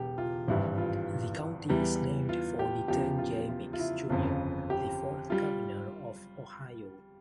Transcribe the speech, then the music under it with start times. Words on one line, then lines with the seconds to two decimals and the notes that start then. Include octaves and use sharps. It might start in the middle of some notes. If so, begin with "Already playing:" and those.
The county is named for Return J. Meigs, Junior the fourth Governor of Ohio.
Already playing: E1 E2 E3 G4
0.18 F4
0.48 G#1 G2 E3 G3 E4
0.78 F4
1.69 E2 E3 G3
2.29 F4
2.59 G4
2.88 E2 C#3 F3 G4
3.18 F4
3.49 F4
3.73 F4
3.79 E4
4.09 G1 F2 C#3 F4
4.70 G4
5.30 G3 F4